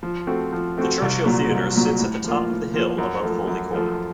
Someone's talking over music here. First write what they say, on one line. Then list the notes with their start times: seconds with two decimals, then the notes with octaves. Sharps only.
The Church Hill Theatre sits at the top of the hill above Holy Corner.
0.03 F3
0.27 A3 C4 F#4
0.53 F3
0.77 A3 C4 F#4
1.02 C2
1.26 A#2 F#3
1.51 C2
1.75 A#2 F#3
1.99 A2
2.24 F3 A#3 F4
2.50 A2
2.74 F3 A#3 F4
2.98 F#2
3.24 F3 A3
3.47 F#2
3.73 F3 A3